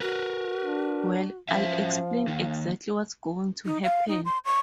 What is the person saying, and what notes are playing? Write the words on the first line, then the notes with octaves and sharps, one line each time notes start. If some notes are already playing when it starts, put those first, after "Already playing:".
Well, I'll explain exactly what's going to happen.
F#4 A#4 B4
D4
F3 F#3 C#4 E5 F5
D#3 A#3
D#4
F5
D#4
C6
C#6